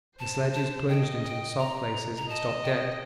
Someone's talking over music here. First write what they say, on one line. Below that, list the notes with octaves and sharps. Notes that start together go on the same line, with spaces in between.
The sledges plunged into the soft places and stopped dead.
C5 A5
A5
D#5 G5
G5
A#5
A#5
D#5 A5
G5